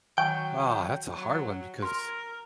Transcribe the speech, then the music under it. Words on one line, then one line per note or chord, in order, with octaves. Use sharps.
Ah, that's a hard one because
D#3 F#3 G5 G#5 C#6
F#3
A#4 C6